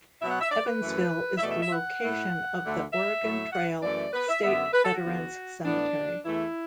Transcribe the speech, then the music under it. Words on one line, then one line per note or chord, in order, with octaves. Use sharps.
Evansville is the location of the Oregon Trail State Veterans Cemetery.
B2 F#3 B3 E5
F#5
E5
D5
B4
F#2 E3 A3
E5
E2 B2 A3 D5
E5
E5
F#5
A2 A3
D2 D3 A3
E5
A2 F#3 A3
F#5
F#2 E3 A3 D5
B4
E5
F#2 D3 B3 E5
B4
A4
F#4
E2 D3 B3
A2 E3 B3 D4
E2 E3 A3 E4